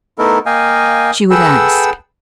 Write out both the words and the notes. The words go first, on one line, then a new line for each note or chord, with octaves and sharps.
She would ask.
A3 B3 D#4 E4 A4 A#4
A#3 D#5 F5 G5 G#5
G#4 A4 B4 F#5 G5 E6